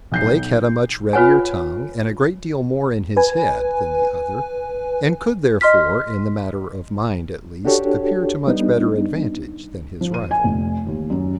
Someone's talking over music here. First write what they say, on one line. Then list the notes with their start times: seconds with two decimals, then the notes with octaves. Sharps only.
Blake had a much readier tongue and a great deal more in his head than the other, and could therefore, in the matter of mind at least, appear to much better advantage than his rival.
0.12 B1 G6 C7
1.13 F4 B4 C#5 F#5 G#5
3.17 B4 G#5
5.61 D#5 C6 F6 B6
7.65 D4 F#4 G4 A4 C#5
8.47 G3 B3 D4 D#4
10.01 F3
10.14 D#7
10.31 G#5
10.44 F1
10.87 D#2
11.10 F#2